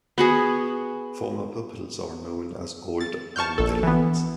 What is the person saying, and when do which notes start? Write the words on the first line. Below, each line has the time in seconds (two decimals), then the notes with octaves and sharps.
Former pupils are known as Old Oundelians.
0.18 B3 F#4 G#4
3.01 A6
3.36 A5 C#6 F6 G6
3.58 A#1 A4
3.83 E3 B3